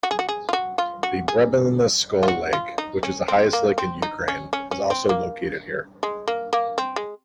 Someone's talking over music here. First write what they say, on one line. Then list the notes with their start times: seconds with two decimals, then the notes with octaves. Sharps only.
The Brebeneskul Lake, which is the highest lake in Ukraine, is also located here.
0.03 F#4
0.11 G#4
0.19 F#4
0.29 G#4
0.49 F4
0.53 F#4
0.78 F4
1.03 F#4
1.28 G#4
2.23 F4
2.28 F#4
2.53 F4
2.78 D#4
3.03 C#4
3.28 C4
3.53 A#3
3.78 C4
4.02 D#4
4.28 C#4
4.53 C#4
4.71 C#4
4.90 C4
5.09 A#3
6.03 G#3
6.28 A#3
6.53 A#3
6.78 C4
6.96 G#3